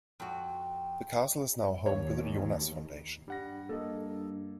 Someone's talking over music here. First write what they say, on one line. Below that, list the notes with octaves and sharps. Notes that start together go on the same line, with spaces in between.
The castle is now home to the Jonas-Foundation.
F2 F#4
D#2 C#5
G2 G3 F#5 A#6
A#3 A4 D#5